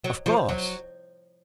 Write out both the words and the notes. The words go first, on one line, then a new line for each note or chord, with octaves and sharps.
"Of course."
F#3
F3
F#3